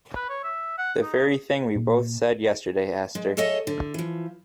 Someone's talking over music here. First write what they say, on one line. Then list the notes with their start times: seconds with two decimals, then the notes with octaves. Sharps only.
The very thing we both said yesterday, Esther!
0.16 B4
0.29 C#5
0.44 E5
0.78 F#5
1.02 D#4
1.76 A#2
3.15 G#3
3.37 G#4 A4 C#5 D#5 E5
3.67 D3
3.94 E3 F3